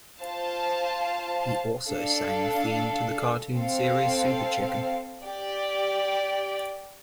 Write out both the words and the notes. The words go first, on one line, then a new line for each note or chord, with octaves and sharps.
He also sang the theme to the cartoon series Super Chicken.
F4 C5 F5 A5
D4 A4 F5
C4 A4 C5 F5
G4 D5 G5